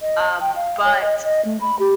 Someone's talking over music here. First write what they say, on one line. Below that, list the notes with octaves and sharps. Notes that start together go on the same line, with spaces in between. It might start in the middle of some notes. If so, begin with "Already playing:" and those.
Um, but
D#5
G5
F5
C#5
D#5
D#5
A3
B5
G4